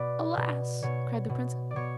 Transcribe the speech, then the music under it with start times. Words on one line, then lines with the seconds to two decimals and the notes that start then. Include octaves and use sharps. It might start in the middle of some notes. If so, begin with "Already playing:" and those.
'Alas!' cried the princess.
Already playing: B2 B4 D5
0.37 B2
0.83 B2 C#5
1.29 B2
1.71 D5
1.76 B2 C#5